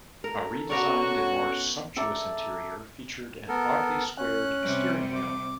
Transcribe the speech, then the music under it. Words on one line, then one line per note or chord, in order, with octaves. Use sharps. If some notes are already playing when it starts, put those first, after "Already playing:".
A redesigned and more sumptuous interior featured an oddly squared steering wheel.
A4 A#4
B3 C#4 F#4 A#4 D5 C#6
A4 A#4 D5 E5
B3 A4 A#4
C#4 F#6
C3 G3
D6